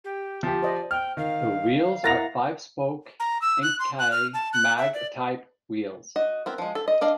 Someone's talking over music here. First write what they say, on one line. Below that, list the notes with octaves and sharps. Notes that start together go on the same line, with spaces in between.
The wheels are five-spoke Enkei mag type wheels.
G4
F3 G4
C5 D5 D#5
G5 F6
D#3 F5
E4 A#4 F#5 A6 A#6 F7
A#5
E6
F#6
C6
F#6
F6
A5
F#6
E5
D5
F#4 D#5
B3 C4 A#4
F3 G#3
A4
D#5
D4 D5 D#5 F5